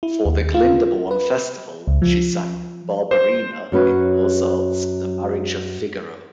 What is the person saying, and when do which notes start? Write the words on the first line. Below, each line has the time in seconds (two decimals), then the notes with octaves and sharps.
For the Glyndebourne Festival she sang Barbarina in Mozart's "The Marriage of Figaro".
0.03 E4
0.25 D#2
0.54 F4
1.11 B4
1.87 C#2
2.02 F3
3.11 C5
3.72 F#2 F#4 B4 C#5